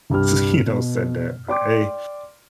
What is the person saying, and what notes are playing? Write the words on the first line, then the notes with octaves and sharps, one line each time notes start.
s you know, said that." But, hey,
C2 G2 G4 F6
B2
D5 G5 C6 D6